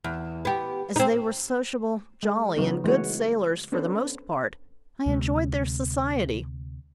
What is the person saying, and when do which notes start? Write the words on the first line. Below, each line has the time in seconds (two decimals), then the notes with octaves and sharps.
As they were sociable, jolly, and good sailors for the most part, I enjoyed their society.
0.04 E2
0.45 B3 G4
0.96 C4 D#4
2.23 G#3
2.56 C#3 F#3 B3 D#4
2.84 E3 G#3 A3 B3 F#4 C#5
3.72 B3 C#4 D4 A4 B4 C5
5.06 D2 C3 G#3